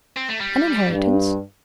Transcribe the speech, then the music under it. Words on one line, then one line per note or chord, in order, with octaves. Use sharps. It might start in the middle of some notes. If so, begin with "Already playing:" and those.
"An inheritance?"
C4
A3
G3
G2